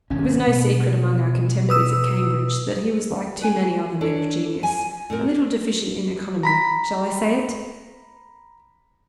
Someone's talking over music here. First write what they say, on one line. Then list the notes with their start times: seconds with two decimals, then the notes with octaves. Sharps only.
It was no secret among our contemporaries at Cambridge that he was like too many other men of genius, a little deficient in economy--shall I say it?
0.10 G#1 C3 C#4
0.47 B2
1.69 B4 D#6 E6
3.41 B4 G#5
4.01 D4 A4 C#5
4.63 G#5
5.10 A2 C4 A#4
6.43 A#5 B5 B6